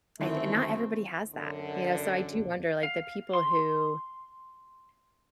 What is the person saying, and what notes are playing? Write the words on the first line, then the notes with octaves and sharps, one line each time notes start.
I th not everybody has that, you know? So I do wonder, like, the people who
F#2 D3 D#3 A3 C4 E4
F#2 D3
F5
C6